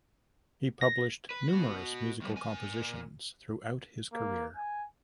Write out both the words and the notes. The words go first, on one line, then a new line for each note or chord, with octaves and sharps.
He published numerous musical compositions throughout his career.
A#6
B4
F#4 B4
D#2 G3
A#2 G#5
A#3
G#5